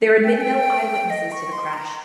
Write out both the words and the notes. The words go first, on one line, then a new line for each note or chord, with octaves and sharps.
There had been no eyewitnesses to the crash.
G5
G#5
G5
D#5
C#6
C6
A#5